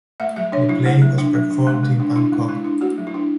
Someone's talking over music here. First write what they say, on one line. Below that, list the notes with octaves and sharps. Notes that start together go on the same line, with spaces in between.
The play was performed in Bangkok.
A3 E5
F#3 E5
D4 C#5
F#3 E4
A3
F#3
D4
F#3
D4
G#3
G#3
D4
D4 E4
G#3
G#3 E4
D4
A3 F#4
F#3
E4
D4